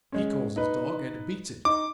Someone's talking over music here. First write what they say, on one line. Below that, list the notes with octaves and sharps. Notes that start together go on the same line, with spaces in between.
He calls his dog and beats it.
G#3 C#4
D#4 B4
D#4 D6